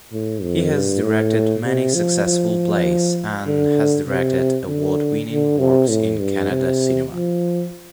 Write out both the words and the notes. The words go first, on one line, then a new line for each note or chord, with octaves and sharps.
He has directed many successful plays and has directed award-winning works in Kannada cinema.
A2
F2
G2
A2
C3
F3
F3
D3
C3
D3
D3
C3
A2
G2
C3
F3